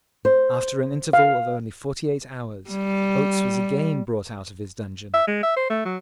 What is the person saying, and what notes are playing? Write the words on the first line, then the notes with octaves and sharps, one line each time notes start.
After an interval of only forty-eight hours, Oates was again brought out of his dungeon.
C5
F5
G3
E5
G#3
E5
C5
A3
F#3